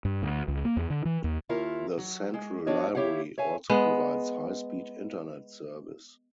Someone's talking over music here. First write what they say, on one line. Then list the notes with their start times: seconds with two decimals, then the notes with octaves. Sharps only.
The Central library also provides high speed internet service.
0.05 G2
0.23 D2
0.48 C#2
0.65 A#3
0.77 E2
0.90 D3
1.05 E3
1.24 D#2
1.49 D#2 E4 F4 A#4
1.97 F#3
2.34 G#3
2.66 F3 B3 D4 F#4 C#5 D#5
2.95 E4 G4 C#5 F5 F#5
3.38 C#5 E5 F5 G#5
3.69 G#3 B3